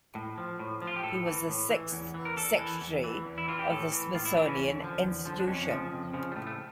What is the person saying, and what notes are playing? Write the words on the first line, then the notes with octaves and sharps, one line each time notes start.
He was the sixth Secretary of the Smithsonian Institution.
A2
F3
A2
F3
F4
G4
A2 A4
E3
A2
E3
E2
E3
A#4
E2 A4
E3
E2
E3
E2
E4
E3 F4
G4
A2 A4
E3
A2 F4
E4
E3 D4
C#4
E2
D3 F3
E2
D3 F3
D4
F2 C#4
C#3 F3
F2
C#3 F3
G3
A2 A3
A3